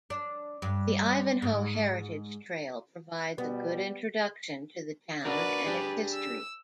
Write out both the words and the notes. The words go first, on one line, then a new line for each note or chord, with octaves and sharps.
The Ivanhoe Heritage Trail provides a good introduction to the town and its history.
D4
G2
G#2
B2 G3 B3
D4 F#4 A#4 B4 D5
D4 G4 G#4
E6